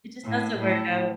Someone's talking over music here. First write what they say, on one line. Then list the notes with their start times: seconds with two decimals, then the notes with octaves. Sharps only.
it just doesn't work out.
0.25 A2
0.58 A2